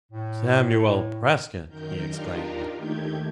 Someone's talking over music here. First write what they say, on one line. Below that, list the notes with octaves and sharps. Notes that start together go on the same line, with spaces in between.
"Samuel Prescott!" he exclaimed.
A2
F#2 D#3 A#4 G6
D4 D#4 F4 G4 A#4
D#2 D#3 A3 G4 G6 G#6